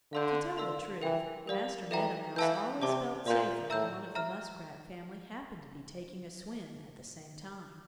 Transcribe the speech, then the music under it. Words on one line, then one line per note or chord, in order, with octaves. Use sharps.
To tell the truth, Master Meadow Mouse always felt safer when one of the Muskrat family happened to be taking a swim at the same time.
D3 F5 A5 C6 E6 G6
A#4 F5 C6 E6
E3 A#4 E5 G5
G3 A#4 D5 F5
E3 A4 E5 G5 A#5
E3 F5 A5 E6 G6
C3 D5 A5 D6
A#2 D5 F5 C6 G6
A2 E5 A#5 E6 G6
E5 A#5 F6